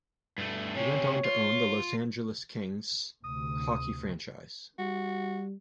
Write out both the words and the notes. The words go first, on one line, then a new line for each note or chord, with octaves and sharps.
He went on to own the Los Angeles Kings hockey franchise.
G2 A3
C3 C#4 C#5
F4
D2 C3 D#6
G3 F#4